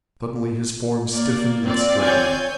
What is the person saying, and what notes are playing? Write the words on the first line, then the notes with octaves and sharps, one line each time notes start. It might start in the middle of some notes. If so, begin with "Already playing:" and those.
Suddenly his form stiffened and straightened.
A#3 D5
C4 F4 D5
C#5 G#5 G6